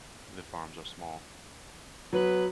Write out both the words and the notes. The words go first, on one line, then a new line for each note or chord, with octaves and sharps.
The farms are small.
F#3 B3 B4